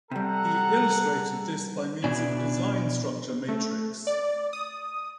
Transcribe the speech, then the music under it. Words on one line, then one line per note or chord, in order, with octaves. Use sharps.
He illustrated this by means of a design structure matrix.
C3 G3 A4 F#5 A#5
B2 D4 E4 D5 G#5
A3
D5
D#6